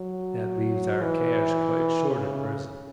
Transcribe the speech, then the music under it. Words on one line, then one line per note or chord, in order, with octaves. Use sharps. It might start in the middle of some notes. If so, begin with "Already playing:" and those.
That leaves our cash quite short at present.
Already playing: F#3
E3
C#3